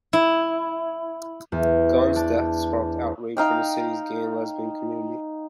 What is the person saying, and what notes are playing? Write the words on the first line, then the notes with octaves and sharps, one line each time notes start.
Gunn's death sparked outrage from the city's gay and lesbian community.
E4
E2
D4
D#4 F5 G5